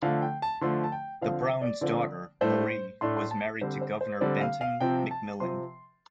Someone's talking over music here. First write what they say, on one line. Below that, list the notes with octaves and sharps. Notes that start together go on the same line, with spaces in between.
The Browns' daughter, Marie, was married to Governor Benton McMillin.
D3 F3 A3 F5
G5
A5
D3 F3 A3 C6
A5
G5
D3 F3 C4 F5
D5
D3 F3 C4 D5
A2 A3 D4 C5
A2 A3 D4 C6
C6
A5
D3 G3 C4 C5
C5
C5
D3 G3 C4 D5
F5
F5
C3 F3 C4 G5
A5
C3 F3 C4 C6